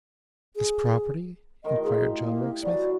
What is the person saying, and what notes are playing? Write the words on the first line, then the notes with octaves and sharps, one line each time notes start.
'As property?' inquired John Rokesmith.
G#4
A2 D#3 D#5 C6
D#4 F4 G4 G#4
A#3
E3 F#3 F#4 D5